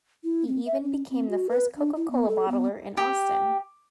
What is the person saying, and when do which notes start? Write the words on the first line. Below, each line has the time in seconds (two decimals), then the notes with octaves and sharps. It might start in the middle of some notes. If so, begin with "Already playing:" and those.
He even became the first Coca-Cola bottler in Austin.
0.24 E4
0.47 C4
0.66 E5
0.83 C#4
1.10 C4
1.30 F#4
1.50 B4
1.77 D4
1.96 E4
2.11 B3
2.28 A4
2.49 B3
2.97 G4